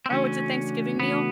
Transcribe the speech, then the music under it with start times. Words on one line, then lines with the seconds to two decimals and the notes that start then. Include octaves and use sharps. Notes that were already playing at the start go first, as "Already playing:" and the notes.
Oh, it's a Thanksgiving meal?
0.06 C4
0.10 C#3 E3 A3 C#4 D4 F#4
1.00 C#3 E3 A3 B3 D4 F#4